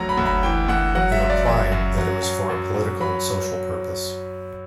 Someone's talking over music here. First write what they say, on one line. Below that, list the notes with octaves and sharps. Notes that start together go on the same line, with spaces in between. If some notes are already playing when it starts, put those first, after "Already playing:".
He replied that it was for a "political and social purpose".
Already playing: D2 F#3 A#5
B5
D2
B5
E3 G5
D2 F#5
F#3 F#5
E5
C#2
D5
F#3 E5
F#2
F#3
F#2
F#2
F#2
F#3 B5